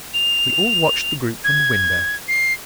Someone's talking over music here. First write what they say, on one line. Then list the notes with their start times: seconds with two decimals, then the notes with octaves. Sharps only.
We all watched the group from the window.
0.14 F7
1.44 G#6
2.28 C7